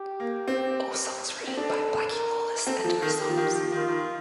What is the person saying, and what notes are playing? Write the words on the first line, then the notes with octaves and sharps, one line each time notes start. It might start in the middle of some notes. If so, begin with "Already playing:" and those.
All songs written by Blackie Lawless and Chris Holmes.
Already playing: G4
A#3
C4
C4
D4 A4
A#4
C4 A4
F3
D#3
D#3 G4
F3
D#3
F3
D#3
F3
D#3
F3 F4
D#3